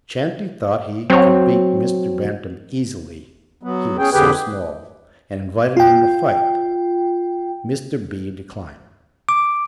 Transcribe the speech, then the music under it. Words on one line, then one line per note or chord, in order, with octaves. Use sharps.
Chanty thought he could beat Mr. Bantam easily, he was so small, and invited him to fight. Mr. B. declined.
F#3 C4 C#5
F#3 B3
C#4 G#4 G5
F2 D3 G4 G#4 B4 G5
F4 G5
D6